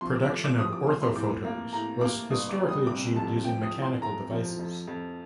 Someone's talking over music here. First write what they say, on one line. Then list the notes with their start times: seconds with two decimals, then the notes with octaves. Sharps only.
Production of orthophotos was historically achieved using mechanical devices.
0.01 F3 C6
0.16 D6
0.30 A3 D6
0.44 D6
0.58 F3 D#6
0.73 D6
0.87 A3 C6
1.02 C6
1.15 A2 D6
1.45 A#3
1.73 A2 A#5
2.01 A#3 D6
2.30 G1 D#6
2.49 D6
2.59 G3
2.69 D#6
2.87 C3 D6
3.16 F2 A5
3.44 F3 G5
3.63 D#6
3.73 A2
3.82 C6
4.02 A3 A#5
4.31 F3
4.59 F2
4.87 F2